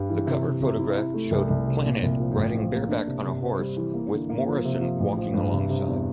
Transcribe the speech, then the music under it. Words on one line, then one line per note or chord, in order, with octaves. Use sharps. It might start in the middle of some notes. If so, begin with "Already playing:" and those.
The cover photograph showed Planet, riding bareback on a horse, with Morrison walking alongside.
Already playing: G2 G3
E3
C3
C3
C3
E4
E4
A3
C2
C2
C3
A#2
C2
F3
A1
F3
A#3
D4
C3
C3
C4
G3
E3
A#3
D3
A#3
F3
C3
F3
A1
F3
G2
C3
C3
E2